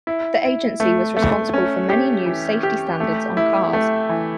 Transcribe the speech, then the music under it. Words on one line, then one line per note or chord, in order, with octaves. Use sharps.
The agency was responsible for many new safety standards on cars.
E4
E4
A3
A3
C#4
G4
E3
G4
A3
E4
A3
E3